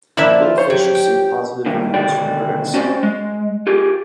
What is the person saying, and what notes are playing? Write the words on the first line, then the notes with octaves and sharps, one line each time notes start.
"Little Fish" received positive reviews from critics.
A#2 F3 D4 E4 E5
F4
C5 C#5
F#3 G4
G5
G2 A#2 D#3
D2 B2 D#3 F#4 D5 G5
C4 C#4 F#4 C5 D5
G#3
F4 G4 G#4